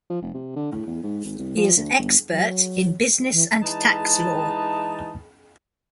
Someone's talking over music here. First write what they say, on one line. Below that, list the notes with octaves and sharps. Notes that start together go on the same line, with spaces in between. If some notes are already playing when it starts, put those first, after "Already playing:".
He is an expert in business and tax law.
F3
F1
C3
D3
A2
E2
G#2
G#1
C2
F3
D2
G1
F#3
E3
E3 G#3 D#4 A5